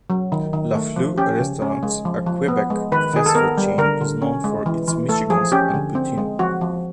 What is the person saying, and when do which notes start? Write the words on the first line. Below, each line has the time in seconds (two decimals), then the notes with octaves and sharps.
Lafleur Restaurants, a Quebec fast food chain, is known for its Michigans and poutine.
0.10 F#3
0.32 D#3
0.53 D#3
0.75 A3
0.96 F3
1.18 C#4 G4
1.40 C#3
1.62 C#4
1.83 G#3
2.05 F3
2.26 F3
2.48 B3
2.70 G#3
2.92 D#3 B4
3.14 D#3 G#4
3.26 A4
3.35 B3 A#4
3.58 G3
3.78 D3 A#4
4.01 D3
4.22 C#4
4.44 G#3
4.66 E3
4.88 E3
5.09 A3 A4
5.30 F3 G#4
5.52 C#4 G4
5.74 D3
5.95 C4
6.18 G#3
6.39 F3 F#4
6.61 F3